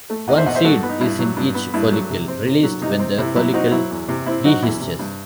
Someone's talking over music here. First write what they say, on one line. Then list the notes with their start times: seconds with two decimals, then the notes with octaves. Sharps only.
One seed is in each follicle, released when the follicle dehisces.
0.10 A3
0.28 E2 D#5 F#5
0.38 C5 E5
0.46 B2 D#5 F#5
0.55 C5 E5
0.64 G2 F#4 A4
0.83 B3
0.89 D#4
1.01 G2 E4
1.19 F#3
1.37 G2
1.55 B3
1.74 G2 E4
1.92 F#3
2.10 C3
2.28 C4
2.45 C3
2.63 F#3
2.82 C3 D#4
2.99 C4
3.18 C3 E4
3.36 F#3 E4
3.54 C4 D#4 F#4
3.72 F#3 E4
3.90 E2
4.09 C3
4.26 C4 E4
4.44 F#3 D#4 F#4
4.62 E2 E4
4.80 C3
4.99 G2